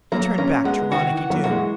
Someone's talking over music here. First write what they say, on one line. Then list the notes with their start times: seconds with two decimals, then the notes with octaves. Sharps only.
He turned back to Ronicky Doone.
0.12 F#3 A#3 A#5
0.38 A#3 C#4 A#5
0.65 G#3 B3 F#5
0.91 D#3 F#4
1.11 E3
1.17 F#5
1.30 F#3 A#3
1.44 A#3 F#4
1.50 E3 G#3